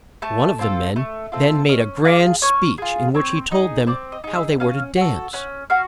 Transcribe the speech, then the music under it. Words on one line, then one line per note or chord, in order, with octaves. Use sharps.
One of the men then made a grand speech in which he told them how they were to dance.
A3 A5
C4 F4 A4
A3
C4 F4 A4
C#4 D#5
F4 G#4 D5
C#4 C#5
F4 G#4
C4 C#5
D#4 G#4
C4 D5
D#5
D#4 G#4
E5
C#4 F5
F#4 A4
C#4 F#5
F#4 F5